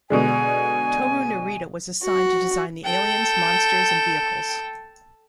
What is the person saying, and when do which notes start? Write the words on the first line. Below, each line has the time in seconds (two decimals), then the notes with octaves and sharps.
Tohru Narita was assigned to design the aliens, monsters, and vehicles.
0.10 B2 D3 G#3 G#5
2.03 F#4
2.84 A4 G5